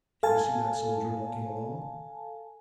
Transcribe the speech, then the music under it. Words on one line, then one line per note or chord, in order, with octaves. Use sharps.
Do you see that soldier walking along?
A4 F5 G#5 A5